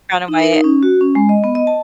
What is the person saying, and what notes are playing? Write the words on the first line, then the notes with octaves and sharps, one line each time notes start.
brown or white?
D#4
A#4
D#4
C#4
F#4
C#4
G#3
D#5
B3
D#5
A5